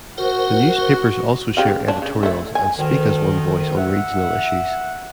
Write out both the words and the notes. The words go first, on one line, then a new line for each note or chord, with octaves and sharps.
The newspapers also share editorials and speak as one voice on regional issues.
F#4 A#4 C5 F#5
C#3 G4 F5
D4
C#3
A3 E4
G#5
D2 D#3
E5 F#5